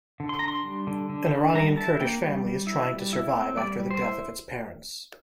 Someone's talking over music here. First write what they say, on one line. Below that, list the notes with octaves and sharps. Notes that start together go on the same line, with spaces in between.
An Iranian Kurdish family is trying to survive after the death of its parents.
D3
C6
D4 A#5
C6
G3
D3
D3
D4
G3 A#5
E4 A5
A#3 G5
G3
G3
E4
G3
E4
C4
G3 D5
G3
C5
E4